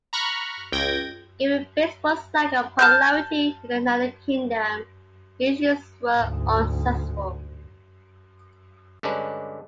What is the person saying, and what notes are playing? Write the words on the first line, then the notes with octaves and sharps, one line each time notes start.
Given baseball's lack of popularity in the United Kingdom, the issues were unsuccessful.
A#5 B5 C#6 F6 F#6
C#2 G5 G#6 A#6
A5 F6 G6
D2 G#2
G2 D3 G#3 C#4 D4 B4